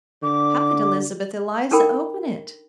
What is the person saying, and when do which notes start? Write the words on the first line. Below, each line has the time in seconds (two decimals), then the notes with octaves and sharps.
How could Elizabeth Eliza open it?
0.23 D3 D6
1.71 D4 D#4 A4 A#4 G5 B5